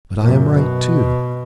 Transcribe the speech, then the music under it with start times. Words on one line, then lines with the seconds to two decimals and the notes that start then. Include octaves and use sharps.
'But I am right, too.
0.22 F#2 A#2
0.54 B2